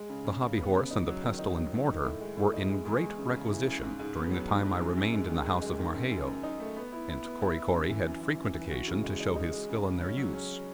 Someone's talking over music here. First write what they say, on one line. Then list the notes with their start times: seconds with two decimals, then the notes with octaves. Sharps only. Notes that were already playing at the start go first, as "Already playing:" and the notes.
The hobby-horse and the pestle and mortar were in great requisition during the time I remained in the house of Marheyo, and Kory-Kory had frequent occasion to show his skill in their use.
Already playing: G#3
0.09 C#3
0.25 C#3
0.42 C#3
0.58 B3
0.74 C#3
0.91 D#4
1.07 F#3
1.23 D#3
1.39 D#4
1.55 D#4
1.72 D#3
1.88 D#4
2.04 A2
2.21 G#3
2.37 A2
2.53 D#4
2.70 G#3
2.86 E2
3.02 G#3
3.18 C#3
3.35 C#3
3.51 E3
3.67 C#3
3.83 G#2
3.99 G#2
4.16 B3
4.31 F#3
4.48 G#2
4.65 G#2
4.81 F#2
4.97 F#2
5.13 G#3
5.30 D#3
5.46 F#2
5.62 G#3
5.78 D#3
5.94 F#2
6.11 F#2
6.27 F#2
6.43 D#4
6.60 A3
6.76 B3
6.92 E4
7.09 E4
7.24 B3
7.41 E4
7.57 E4
7.74 F#2
7.90 E3
8.05 F#2
8.22 F#2
8.38 F#2
8.54 E3
8.71 F#4
8.87 C#3
9.04 G#3
9.20 D#4
9.36 D#4
9.52 G#3
9.69 C#3
9.85 C#3
10.01 C#4
10.17 F#3
10.33 C#4